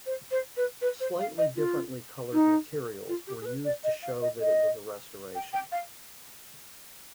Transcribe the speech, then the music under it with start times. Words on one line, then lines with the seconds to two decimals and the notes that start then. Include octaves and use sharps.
Slightly differently colored materials were used to show that it was a restoration.
0.06 C5
0.31 C5
0.56 B4
0.81 B4
1.00 C5
1.19 F5
1.38 D#5
1.56 F4
2.32 D#4
3.08 F4
3.27 G4
3.41 G#4
3.45 B4
3.64 D5
3.83 D#5
4.02 F5
4.21 D#5
4.40 D#5
5.35 G5
5.53 G5
5.72 F5